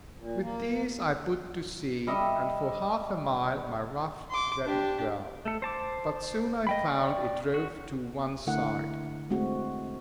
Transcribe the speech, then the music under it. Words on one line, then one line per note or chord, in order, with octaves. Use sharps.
With these I put to sea, and for half a mile my raft went well; but soon I found it drove to one side.
A#2
A#3
G3 D#5 E5
C6 D6
D4 G4
A3 A4
C5 A5 D6
D#5 G5 B5
D5 G5 C6 C#6
F#4
D3 A3 E4 A#4 F#5
G#3 A3 C4 F#4